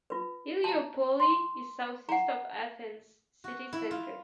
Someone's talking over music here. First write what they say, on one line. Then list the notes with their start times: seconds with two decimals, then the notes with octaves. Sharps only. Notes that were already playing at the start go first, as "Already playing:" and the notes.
Ilioupoli is southeast of Athens city centre.
0.10 F4 B4
0.64 A5 A#5
1.20 C6
2.09 F#5 A#5
3.44 F#4
3.73 E4
3.91 F4